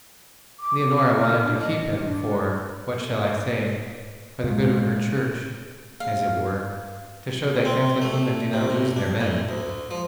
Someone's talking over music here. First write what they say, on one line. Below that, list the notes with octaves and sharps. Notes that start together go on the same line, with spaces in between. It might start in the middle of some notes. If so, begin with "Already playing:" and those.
Leonora wanted to keep him for--what shall I say--for the good of her church, as it were, to show that Catholic women do not lose their men.
D6
F6
D4
D#5
D4
A#2 G#3
F5
C4
A3
C3
A2
D4
A2
D2
F3